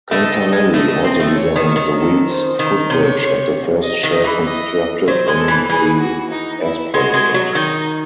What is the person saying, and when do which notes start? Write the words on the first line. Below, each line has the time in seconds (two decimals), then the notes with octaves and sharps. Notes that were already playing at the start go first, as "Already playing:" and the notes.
Canzanelli also designed the Weeks footbridge and the first shell constructed on the Esplanade.
0.11 A3 D#5
0.32 A3
0.52 G#3
0.73 A3 D#5
0.88 A3
1.04 C4
1.20 A3
1.35 C#5
1.56 D#3
1.76 D#3
1.97 A4
2.28 C5
2.59 D#3
2.90 C3 C#5
3.83 D#5
4.03 D#3
4.24 E3
4.45 D#5
5.07 F#3 C5
5.28 G#3
5.38 A4
5.48 E3
5.69 E3 G#4
6.00 F#4
6.31 D#4
6.62 E4
6.94 G#3 F#4
7.14 G#3
7.34 F#3
7.55 D#3 D#4